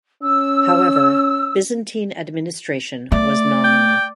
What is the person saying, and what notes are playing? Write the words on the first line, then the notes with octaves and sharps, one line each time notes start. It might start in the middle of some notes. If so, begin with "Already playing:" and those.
However, Byzantine administration was nominal.
C#4 E6
A3 D5
G5